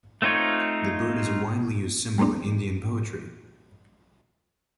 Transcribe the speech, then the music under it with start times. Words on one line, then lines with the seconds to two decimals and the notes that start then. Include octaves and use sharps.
The bird is a widely used symbol in Indian poetry.
0.22 A3 C4 D#4 F4 C#5
2.18 G3 A3 A#3 C4 D4